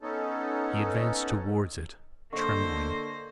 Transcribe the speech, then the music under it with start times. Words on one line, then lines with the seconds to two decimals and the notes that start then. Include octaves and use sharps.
He advanced towards it trembling.
0.01 B3 C#4 D#4 A4
2.33 D3 A#3 A4 C5 D#5 C#6